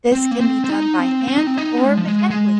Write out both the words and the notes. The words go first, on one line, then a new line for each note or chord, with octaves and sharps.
This can be done by hand or mechanically.
C4
A#3
C4
C4
D#4
C4
C4
D#4
C4
D#4
G#3
F3
G#3
G#3